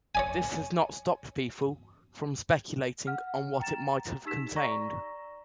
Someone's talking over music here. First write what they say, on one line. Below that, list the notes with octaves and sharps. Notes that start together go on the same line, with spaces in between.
This has not stopped people from speculating on what it might have contained.
C#5 D5 G#5
F#5 F6
G5 A#5 A6 E7
D#4 G4 E6 B6 E7
D5 A#5 C#6 A#6